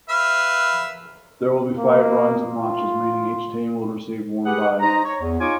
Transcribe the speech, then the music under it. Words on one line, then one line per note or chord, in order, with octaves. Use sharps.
There will be five rounds of matches meaning each team will receive one bye.
B4 E5 F5
A#3
F4
G4 G#4 B4 F#5
D#4 C5 A#5
C#5
E2
D#4 F4 C#5 G#5 D6